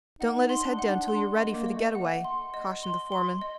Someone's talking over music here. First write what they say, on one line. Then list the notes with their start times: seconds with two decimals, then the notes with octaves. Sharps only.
"Don't let his head down till you're ready for the get-away," cautioned the foreman.
0.20 D#4 F#5
0.49 C6
0.64 D4
0.75 D#4 F#5
0.86 D4
1.08 D4 C6
1.37 D#5
1.52 A#3
1.66 D#5
1.73 A3
1.95 F#5
2.24 C6
2.54 D#5
2.83 C6
3.12 C6
3.41 D#5